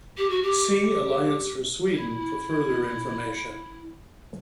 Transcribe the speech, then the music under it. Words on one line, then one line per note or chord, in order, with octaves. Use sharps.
See Alliance for Sweden for further information.
G4
F#4
G4
E4